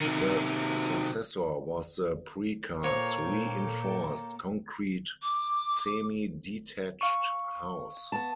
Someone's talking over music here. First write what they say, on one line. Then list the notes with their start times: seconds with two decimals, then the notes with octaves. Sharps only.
The successor was the pre-cast re-inforced concrete semi-detached house.
0.01 C3 D#3
2.84 A#2 A#3 A4 C5 C#5 G5
5.22 D6
7.01 F5 C#6
8.12 B3 A5